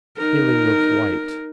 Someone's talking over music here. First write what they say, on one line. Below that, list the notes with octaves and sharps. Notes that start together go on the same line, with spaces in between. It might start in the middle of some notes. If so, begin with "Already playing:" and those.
Feeling of white.
D#4 A#4